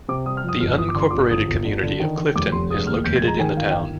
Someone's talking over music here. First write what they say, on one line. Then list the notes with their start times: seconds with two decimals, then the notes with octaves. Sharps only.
The unincorporated community of Clifton is located in the town.
0.09 C3 D6
0.26 G3 D#6
0.37 F6
0.44 F2 D#6
0.60 G1 F6
0.78 G1 D#6
0.89 D6
0.95 D3 C6
1.11 D6
1.13 G1
1.30 G1 D#6
1.48 G1
1.65 D3
1.83 D3
2.00 D#3
2.17 D#3
2.35 F1 D6
2.52 F1 C6
2.70 G#3 D#6
2.87 D#2 F6
3.04 F1 G6
3.16 G#6
3.23 G#3
3.28 A#5
3.39 D#3 G#5
3.57 G1 F5
3.70 G5
3.74 D#3 F5